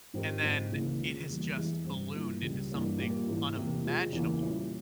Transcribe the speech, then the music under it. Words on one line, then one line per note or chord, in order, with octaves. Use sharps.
and then, it has just ballooned into something unimaginable,
G#2 F3 C4 G4 A#4
G#2 F3 C4
C#2 C#3 E3 A#3
C#3 F3 G#3
E2 E3 G3 A#3
E2 E3 G#3 E4 G#4
G2 G3 C4
G2 F3 A#3 E4
C#2 C#3 G3
G2 E3 A#3 C#4
A#2 G3 A#3 F4
G#2 E3 A#3 C#4
E2 C3 E3 A#3
C3 F3 G#3 C4 F4
E2 C#3 E3 A#3
A#2 G3 C#4 E4